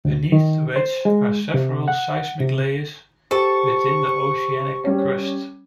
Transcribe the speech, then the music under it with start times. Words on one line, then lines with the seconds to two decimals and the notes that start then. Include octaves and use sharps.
Beneath the wedge are several seismic layers within the oceanic crust.
0.05 D2
0.32 D#3
0.76 C5
1.05 G#3
1.54 C3
1.88 F#5
2.40 C3
3.31 G4 A4 C5 C#6
4.84 G3 C#4